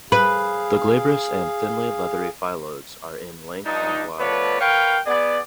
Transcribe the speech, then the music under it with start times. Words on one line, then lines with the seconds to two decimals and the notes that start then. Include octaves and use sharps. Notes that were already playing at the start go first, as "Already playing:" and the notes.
The glabrous and thinly leathery phyllodes are in length and wide.
0.12 G#4 B4 F5
3.66 G2 F3 D4 D#4
4.19 F3 A3 B3 B4 C#5 D5
4.61 A#4 B4 C#5 F5 G5
5.06 B3 G#4 D5